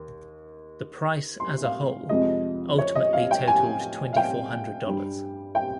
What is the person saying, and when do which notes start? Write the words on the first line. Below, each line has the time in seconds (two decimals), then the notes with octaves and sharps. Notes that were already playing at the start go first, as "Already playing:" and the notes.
The price as a whole ultimately totaled twenty-four hundred dollars.
Already playing: D#2
1.40 C6
1.64 F5
2.09 F2 C3 F3 G#3 D#5
2.78 C#5
2.95 D#5
3.13 F5
3.31 G5
3.48 G#5
4.13 F5
4.16 G5
4.86 G2 G3
5.55 G5